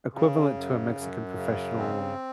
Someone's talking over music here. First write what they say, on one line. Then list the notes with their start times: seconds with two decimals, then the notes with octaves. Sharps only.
equivalent to a Mexican professional
0.13 C#3
0.54 F#2
0.95 F#2
1.36 C#3
1.77 C4